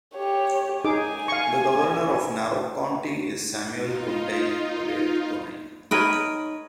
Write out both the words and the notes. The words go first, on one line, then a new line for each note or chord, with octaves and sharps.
The governor of Narok county is Samuel Kuntai Ole Tunai.
G4 C#5
D#4 G#4 G#5 D6
F5 C#6
D#4 F4
D#4 A#4 B4 C#5 G5